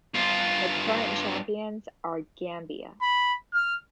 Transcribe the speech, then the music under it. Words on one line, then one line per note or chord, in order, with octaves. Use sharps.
The current champions are Gambia.
G2 F4
B5
F6